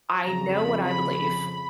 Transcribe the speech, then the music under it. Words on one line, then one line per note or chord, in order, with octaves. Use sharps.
I know what I believe.
F2 C#3 F3 A#5
B5
B5